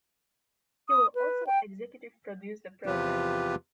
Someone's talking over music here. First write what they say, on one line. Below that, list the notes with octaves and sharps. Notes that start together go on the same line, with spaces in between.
He will also executive produce the project.
D#6
B4
G5
E2 C3 F3 F4 G4 B4